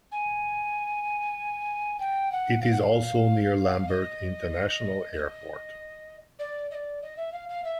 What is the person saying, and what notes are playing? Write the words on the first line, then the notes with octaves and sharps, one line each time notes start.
It is also near Lambert International Airport.
G#5
G5
F#5
F5
F#5
F5
D#5
D#5
D5
D#5
D5
D#5
E5
F5
F5
E5